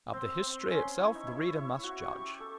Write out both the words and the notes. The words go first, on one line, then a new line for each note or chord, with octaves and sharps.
Of the history itself the reader must judge.
C4 C6
C4
C#4
E4 C#6
D#4
E4
E4
F#4
G4
A4